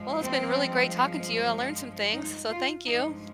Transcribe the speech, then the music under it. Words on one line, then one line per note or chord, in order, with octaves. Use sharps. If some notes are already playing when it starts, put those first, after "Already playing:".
Well, it's been really great talking to you, I learned some things, so thank you.
Already playing: G2 F3 G#3
C4
D#4
F4
G2 F3 G#3 D#4